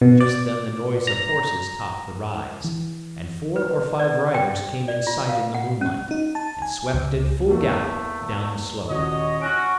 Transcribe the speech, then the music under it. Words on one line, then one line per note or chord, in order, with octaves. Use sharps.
Just then the noise of horses topped the rise, and four or five riders came in sight in the moonlight and swept at full gallop down the slope.
B2
D5
A#5
E3
B4
D5
G5
D5
F4
F5
F#5
C#4
D#4
A5
G#5
C#2
E2 A3 A#3
D#1 F#4 C#5 D#5
C#4 F#4 F#6 A#6 D7